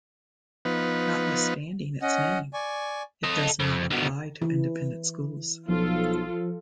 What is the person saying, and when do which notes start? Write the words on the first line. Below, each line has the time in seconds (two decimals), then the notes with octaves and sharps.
Notwithstanding its name, it does not apply to independent schools.
0.65 F3 B3 D#4 B4
2.02 C#4 D#5 F#5
2.54 D5 G#5 C#6
3.24 A4 D#5
3.60 F2
3.90 D2 B2
4.42 E3
5.69 B1 F3 F4 A4